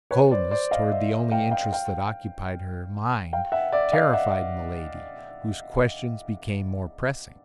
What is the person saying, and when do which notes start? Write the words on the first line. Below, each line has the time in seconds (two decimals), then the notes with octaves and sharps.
This coldness toward the only interests that occupied her mind terrified Milady, whose questions became more pressing.
0.11 B4 C#5
0.31 C5 D5
0.51 C5 D5
0.71 D#5 F5
0.92 D5 E5
1.32 F5 G5
1.51 F5 G5
1.72 F5 G5
3.33 F5 G5
3.52 E5 F#5
3.72 D5 E5
3.92 D#5 F5
4.13 E5 F#5